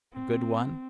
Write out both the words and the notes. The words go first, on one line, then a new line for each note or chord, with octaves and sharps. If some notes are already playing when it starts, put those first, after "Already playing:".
A good one?
C4